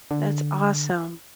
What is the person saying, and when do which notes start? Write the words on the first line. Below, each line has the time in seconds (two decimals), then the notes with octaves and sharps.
That's awesome.
0.11 D3